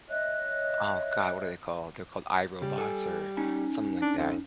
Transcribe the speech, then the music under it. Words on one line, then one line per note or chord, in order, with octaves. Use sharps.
oh, god. What are they called? They're called iRobots or something like that.
C#5 D#5 E5 F#6
C#3 G3
A4 G#5
C#4 D#4 G#5
D4
F2